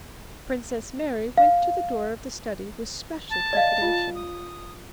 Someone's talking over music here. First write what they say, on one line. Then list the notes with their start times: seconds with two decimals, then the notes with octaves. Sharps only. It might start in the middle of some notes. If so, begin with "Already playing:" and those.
Princess Mary went to the door of the study with special trepidation.
1.38 F5
3.30 A5
3.53 D5 D#5 F5
3.82 F4
4.15 D#6